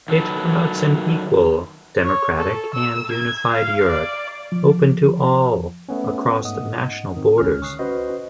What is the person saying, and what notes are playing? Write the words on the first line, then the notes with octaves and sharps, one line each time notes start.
It promotes an equal, democratic and unified Europe, open to all across national borders.
D#3 F#3 A4 B4
C#5
A4
E6
G#6
F5
D5
F3
A3 B3 C#4
G#2 D#5 F#5 D#6
D#3 C4
C#2 D3 C#4 F6
C#6 D#6 F#6 C7
C#4 F#4 B4 C5 D#5